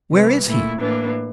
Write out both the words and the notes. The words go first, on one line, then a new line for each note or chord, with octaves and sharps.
Where is he?
C3 E3 G3
A#2 A3 E4
A2 E3 A#3 D4